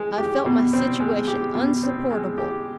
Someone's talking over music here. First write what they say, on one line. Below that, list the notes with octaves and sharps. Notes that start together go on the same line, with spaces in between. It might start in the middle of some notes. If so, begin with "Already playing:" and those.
I felt my situation unsupportable.
Already playing: G#3
G4
B2
C4
G#3
G4
B2
C4
G#3
G4